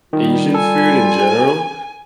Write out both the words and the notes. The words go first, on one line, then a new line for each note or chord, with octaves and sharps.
Asian food in general.
D#3 G3 F4
A4 G#5